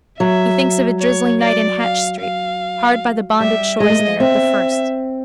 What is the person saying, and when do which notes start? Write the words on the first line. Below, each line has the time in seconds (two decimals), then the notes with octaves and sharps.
He thinks of a drizzling night in Hatch street, hard by the bonded stores there, the first.
0.19 F#3 E5
1.00 C#5
1.40 D5
1.80 F5
2.20 F5
3.40 G3 E5
3.80 G#3 D#5
3.90 A3
3.99 G#3
4.20 C4 E5